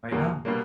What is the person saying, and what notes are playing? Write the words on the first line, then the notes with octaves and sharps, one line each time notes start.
Why not?
E2 B2 G3 A#3
B2 G3 A#3